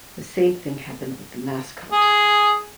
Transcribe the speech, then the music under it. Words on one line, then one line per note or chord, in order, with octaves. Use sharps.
The same thing happened with the mascot.
G#4